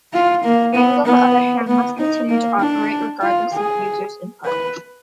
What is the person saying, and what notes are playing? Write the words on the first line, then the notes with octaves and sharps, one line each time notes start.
Games, on the other hand, must continue to operate "regardless" of a user's input.
F4
A#3
B3
B3
B3
D#4
A#3
D4
F4
G#4
B4